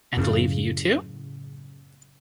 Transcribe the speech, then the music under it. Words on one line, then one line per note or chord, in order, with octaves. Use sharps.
And leave you two?
F#2 A2 C#3